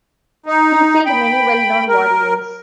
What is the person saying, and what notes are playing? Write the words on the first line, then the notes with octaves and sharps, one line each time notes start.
He killed many well-known warriors.
D#4
G5 B5
A#4